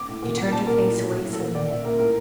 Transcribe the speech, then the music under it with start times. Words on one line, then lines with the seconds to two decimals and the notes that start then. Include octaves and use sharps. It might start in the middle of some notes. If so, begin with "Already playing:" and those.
She turned her face away suddenly.
Already playing: D6
0.08 A2
0.22 A#2
0.37 A#2
0.51 A#2 A5
0.66 A#2 A#4
0.82 A2
0.96 A2
1.11 A2
1.25 A2
1.33 A4
1.40 A#2 A#4
1.55 A#2 D5
1.69 A#2 E5
1.84 A#2 A#4
1.99 A2 A#4